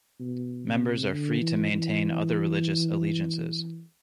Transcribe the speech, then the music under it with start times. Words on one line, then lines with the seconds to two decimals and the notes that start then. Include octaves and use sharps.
Members are free to maintain other religious allegiances.
0.20 B2
0.66 C3
1.11 D3
1.41 E3
1.73 E3